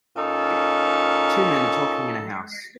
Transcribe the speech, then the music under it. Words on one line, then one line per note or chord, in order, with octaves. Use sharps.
Two men are talking in a house.
A#2 C#4 D#4 A4